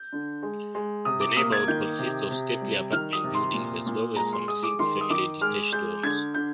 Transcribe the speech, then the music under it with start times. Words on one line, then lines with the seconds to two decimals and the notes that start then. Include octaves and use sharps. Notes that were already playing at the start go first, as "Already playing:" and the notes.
The neighborhood consists of stately apartment buildings as well as some single-family detached homes.
Already playing: G6
0.12 D3
0.43 G#3
0.75 G#3
1.05 C3 D#6
1.20 D6
1.36 A#3 D#6
1.52 G#6
1.68 D#3 G6
1.99 C3
2.30 C3
2.61 G3
2.92 D#3 F6
3.13 D#6
3.24 C3
3.34 C6
3.54 A#2
3.86 A#2
4.16 G#3 A#5
4.33 C6
4.48 G#3 D#6
4.63 D6
4.79 D#3 C6
5.01 D#6
5.10 D#3 D6
5.41 G#3 F6
5.73 G#3 G6
6.03 D3 G#6
6.34 D3 G6